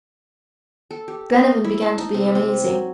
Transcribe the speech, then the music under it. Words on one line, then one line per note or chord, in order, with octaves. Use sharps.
Glenarvan began to be uneasy.
A4
G4
D#5
E4
A5
D#4
C3
C4
F#3